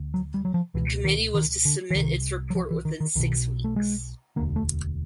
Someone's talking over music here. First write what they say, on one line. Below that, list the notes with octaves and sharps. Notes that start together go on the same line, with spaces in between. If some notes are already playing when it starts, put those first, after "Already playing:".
The committee was to submit its report within six weeks.
Already playing: D2 D3
F#3
G3
F#3
F3
C#2 B2 E3
D#3
D#3
D3
E3
C2 C3 D#3
F#3
F3
E3
D#3
D#3
B1 B2 D#3
A3
G#3
E1 D2 D3 A#3
A3